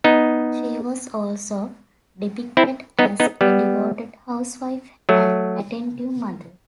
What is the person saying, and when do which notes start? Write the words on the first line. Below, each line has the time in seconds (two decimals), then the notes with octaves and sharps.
She was also depicted as a devoted housewife and attentive mother.
0.04 B3 D#4
2.57 C4 E4
2.99 B3 D#4
3.20 B3 D#4
3.41 G3 B3
5.09 F#3 A3